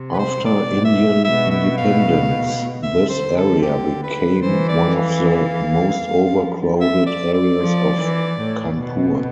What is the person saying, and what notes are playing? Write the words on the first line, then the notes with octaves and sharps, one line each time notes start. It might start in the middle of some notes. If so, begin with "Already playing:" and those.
After Indian Independence, this area became one of the most overcrowded areas of Kanpur.
Already playing: C3
B4
C5
B2 D5
E5
B2 E5
E5
F5
D3 E5
C5
A4
G4
B4
E3 C5
D5
F5
F3
E5
D5
D5
F3
E3
A2
B2